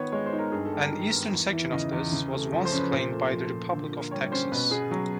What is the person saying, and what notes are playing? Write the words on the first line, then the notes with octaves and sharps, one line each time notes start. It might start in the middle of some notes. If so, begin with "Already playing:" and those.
An eastern section of this was once claimed by the Republic of Texas.
Already playing: D#3 B3 C#5
G#3 C#5
C5
D#4
A#4
G2 G#4
A4
G3
A#4
D#3 A#4
B3
E2
E3
C#3 D#5
E2
C#3
A3
F3
C5
C#4
B4
A#2 C5
A3
F3
A#2
D3
A#3
G3 C#5
C#4 C5
B2 B4
B3 G#4
F#3